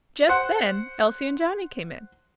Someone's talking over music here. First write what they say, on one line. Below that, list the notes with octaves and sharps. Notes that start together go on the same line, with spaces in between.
Just then Elsie and Johnnie came in.
C5 F#5